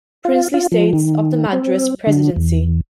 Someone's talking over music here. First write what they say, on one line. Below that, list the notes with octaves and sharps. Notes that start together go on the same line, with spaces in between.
Princely States of the Madras Presidency.
F4
F4
F3
D#3
C4
D3
E2